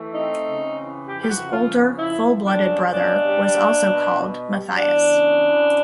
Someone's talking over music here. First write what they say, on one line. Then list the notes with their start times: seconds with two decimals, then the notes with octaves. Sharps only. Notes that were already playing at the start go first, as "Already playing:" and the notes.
His older full-blooded brother was also called Matthias.
Already playing: E3 A3
0.13 C4 D#4
0.44 C#3
0.75 E3
1.06 F2 G4
1.21 G4
1.29 F#4
1.36 C#3
1.52 F4
1.68 F3
1.98 F2 E4
2.29 F2
2.45 D4
2.61 C#3
2.91 B2 D4
3.23 G3
3.53 A#3
3.84 B2
4.15 B2
4.47 G3
4.76 E2 D4
5.08 C#3
5.39 E3